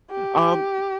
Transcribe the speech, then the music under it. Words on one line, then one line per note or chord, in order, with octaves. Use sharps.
Um, y
G4